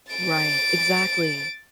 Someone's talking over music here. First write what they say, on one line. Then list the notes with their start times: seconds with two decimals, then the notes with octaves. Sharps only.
Right, exactly,
0.12 A6 D7